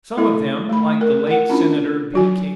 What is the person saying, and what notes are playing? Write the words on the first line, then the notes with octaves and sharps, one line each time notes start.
Some of them, like the late Senator B.K.
A3 E4 A4 E5
A3 B5
A#4
A#4 F#5
C#4 D4 E4 F4 B5
F#3 F#4 G#5